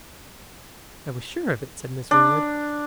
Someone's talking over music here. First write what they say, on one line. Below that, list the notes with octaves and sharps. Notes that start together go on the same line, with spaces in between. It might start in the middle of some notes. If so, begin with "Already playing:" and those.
"I was sure of it," said Miss Winwood.
D4